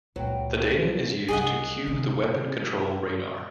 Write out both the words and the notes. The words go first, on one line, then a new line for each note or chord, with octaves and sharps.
The data is used to cue the weapon control radar.
C#2 A#2 F#3 G3 F#4 B4 F5 G5
C2 G#4 D#5 F#5
C3